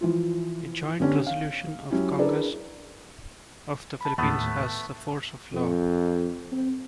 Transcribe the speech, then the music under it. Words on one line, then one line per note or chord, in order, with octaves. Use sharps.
A joint resolution of the Congress of the Philippines has the force of law.
E3 F3 F4
D3 B3 C#4 D4 G4
F5
F#3 C#4 E4 G4
D4 E4 G#4 A#4 B4 D5
A5 B5
D#2 A2 A3 B3 B4
F2
C4